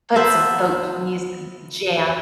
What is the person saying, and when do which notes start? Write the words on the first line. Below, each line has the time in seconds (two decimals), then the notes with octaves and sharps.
Put some goat cheese and jam.
0.15 B3 C5 E5 A5